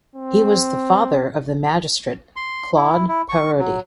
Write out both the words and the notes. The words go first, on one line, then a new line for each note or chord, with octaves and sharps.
He was the father of the magistrate Claude Parodi.
C4
C6
E4
E4
C#6
F#3